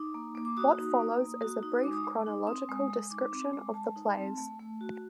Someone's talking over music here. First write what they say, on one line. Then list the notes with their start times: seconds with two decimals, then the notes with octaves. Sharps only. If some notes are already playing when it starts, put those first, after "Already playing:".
What follows is a brief, chronological description of the plays.
Already playing: D#4 D6
0.14 A#3
0.35 A#3
0.45 D6
0.57 F#4 D#6
0.77 D#4
1.00 A#3
1.21 A#3
1.41 F#4
1.63 D#4
1.83 G#3 D6
1.93 D#6
2.03 G#3 D6
2.27 D#4
2.47 C4 D#6
2.69 G#3
2.90 G#3
3.10 D#4 D6
3.32 C4
3.53 G#3
3.74 G#3 A5
3.96 D#4
4.16 C4
4.38 A3
4.59 A3
4.81 F#4